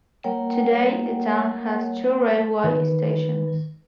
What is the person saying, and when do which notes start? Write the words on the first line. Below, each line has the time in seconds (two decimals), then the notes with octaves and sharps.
Today the town has two railway stations.
0.24 G3 A#3 A#4 C#5 F#5 G5
2.64 D#3 B4